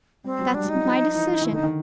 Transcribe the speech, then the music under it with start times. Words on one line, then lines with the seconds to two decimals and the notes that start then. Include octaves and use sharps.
That's my decision.
0.24 G3 C4
0.39 F#3
0.54 G3 D4
0.65 F#3
0.69 D#4
0.75 F#3
0.85 F3
1.15 E3
1.30 E3
1.41 D#3 E4
1.52 D3 D#4
1.63 D#3